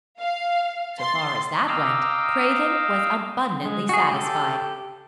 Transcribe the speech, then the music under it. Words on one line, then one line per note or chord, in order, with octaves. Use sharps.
So far as that went, Craven was abundantly satisfied.
F5
C6 A6
D#5 F5 G5 A#5 D6 E6
G#3
F#4 G#4
G4 A4